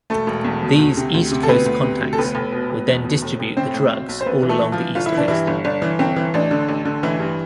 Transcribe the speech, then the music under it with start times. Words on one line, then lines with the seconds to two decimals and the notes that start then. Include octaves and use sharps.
These East Coast contacts would then distribute the drugs all along the East Coast.
0.10 E1 A3 A4
0.27 E1
0.44 E2
0.62 B2
0.79 D2
0.97 C3
1.14 D2
1.32 C3
1.43 A4
1.49 D2 B3 B4
1.66 D2
1.83 C3
2.01 D2
2.13 A4
2.18 F1 B3 B4
2.35 F1
2.52 B2
2.70 F1
2.88 E2
3.04 B2
3.22 F1
3.39 F1
3.56 A2 C4 C5
3.74 A2
3.91 B1
4.09 B1
4.21 C5
4.26 B1 B3 B4
4.43 E3
4.49 A3 A4
4.60 E3
4.72 F3 F4
4.78 E3
4.95 G1 F4
5.06 E4
5.12 E3
5.17 D4
5.28 G2 E3 E4
5.47 G1
5.64 G1 D4
5.82 E3
5.99 G1 C4
6.16 E3
6.34 A1 D4
6.51 D3
6.68 A1
6.85 D3
7.03 A1 E3 E4
7.20 G2